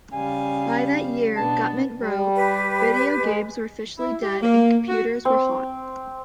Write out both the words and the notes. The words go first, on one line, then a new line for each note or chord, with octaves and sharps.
By that year, Gutman wrote, "Video games were officially dead and computers were hot".
C#3 G3 F5 G#5
B2 B3 D4 A5
G3
G4 B4
G#3
E4
G4
A#3
F#4
C4